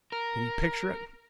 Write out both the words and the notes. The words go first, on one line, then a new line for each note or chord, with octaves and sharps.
Can you picture it?
A#4